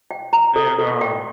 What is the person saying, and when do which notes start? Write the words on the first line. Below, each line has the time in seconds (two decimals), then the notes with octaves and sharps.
and, um,
0.11 G5
0.33 A#5
0.56 A4
0.79 A4
1.01 G5